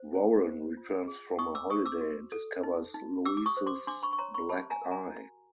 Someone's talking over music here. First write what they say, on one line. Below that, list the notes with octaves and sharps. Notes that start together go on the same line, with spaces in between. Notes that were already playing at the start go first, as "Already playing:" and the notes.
Warren returns from a holiday and discovers Louise's black eye.
Already playing: C5
C#4
C5
F4
G#4
D#4 C#6 D#6
D6 E6
C5 C#6 D#6
D6 E6
F#4
A4
D#4
D#4
G4 D6 E6
D6
C#6 D#6
C5
C6 D6
D4 C6 D6
B5 C#6
C#6
C#5 A#5 C6
B5 C#6
G4 A5 B5
G#5 A#5
A#4
G#5 A#5
F#4